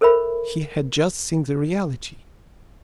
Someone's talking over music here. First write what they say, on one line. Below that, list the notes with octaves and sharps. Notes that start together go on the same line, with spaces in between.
He had just seen the reality.
A4 A#4 C5 E5 B5